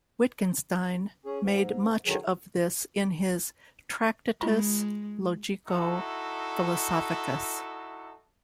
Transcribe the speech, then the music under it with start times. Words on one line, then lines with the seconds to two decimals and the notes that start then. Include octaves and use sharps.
Wittgenstein made much of this in his Tractatus Logico-Philosophicus.
1.26 C#4 G#4
1.41 G#2
2.06 D3 D#3 F#3 G#4
4.41 G#3 F4 B5
5.67 D#4 E4 F#4 A4